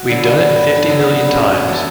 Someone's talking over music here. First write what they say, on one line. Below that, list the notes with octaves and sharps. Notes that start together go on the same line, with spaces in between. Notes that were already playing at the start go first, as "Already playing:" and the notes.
We've done it fifty-million times!
Already playing: F#4
D3 F#3 B3
G2 B4
B4
D3 F#3 B3
B4
B4
F#2 C#5
C#5
E3 A3 C#4